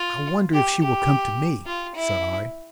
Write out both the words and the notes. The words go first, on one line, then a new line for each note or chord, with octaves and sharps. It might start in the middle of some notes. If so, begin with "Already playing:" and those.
"I wonder if she will come to me?" said I.
Already playing: F4
G4
G4
F4
E4